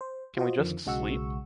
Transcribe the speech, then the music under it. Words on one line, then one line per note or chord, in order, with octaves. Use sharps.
Can we just sleep?
C5
F4 F#4 C5 D#5
F2 D3 D#3 F3
B1 C#3 G#3 F#4 C#6 E6